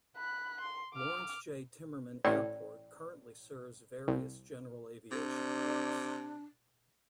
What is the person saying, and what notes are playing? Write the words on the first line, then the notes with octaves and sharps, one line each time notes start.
Lawrence J. Timmerman Airport currently serves various general aviation groups.
B5 F#6
C6
D6 F6
A1 A2 D5 G5
C2
C3 D4